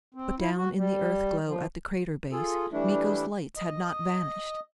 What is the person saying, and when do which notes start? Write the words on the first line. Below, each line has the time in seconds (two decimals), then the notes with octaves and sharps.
But down in the Earth glow at the crater base, Miko's lights had not vanished!
0.15 C4
0.39 E4
0.56 F#4
0.77 G3
1.46 F3
2.31 F4 G#4 A4
2.72 E3 G3 A3 D4 E4
3.57 D#5